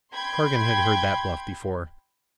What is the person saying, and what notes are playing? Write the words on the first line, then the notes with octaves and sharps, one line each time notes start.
Cargan had heard that bluff before.
G5 B5 C6 G#6